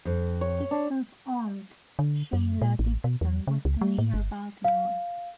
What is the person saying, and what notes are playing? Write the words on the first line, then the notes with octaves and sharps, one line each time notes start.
Dixon's aunt, Sheila Dixon, was the mayor of Baltimore.
F2
C#5
D4
D3
F#2
A#2
A1
B2
E2
C#3
C#2
G3
A2
G1
F5